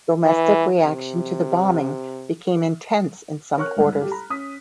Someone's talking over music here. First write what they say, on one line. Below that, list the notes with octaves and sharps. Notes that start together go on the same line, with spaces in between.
Domestic reaction to the bombing became intense in some quarters.
E3
C3
A#4 C#5 C#6 F6 F#6
G#1 G2
G3 G4 A4
A#5 B5
C#4 D#6 B6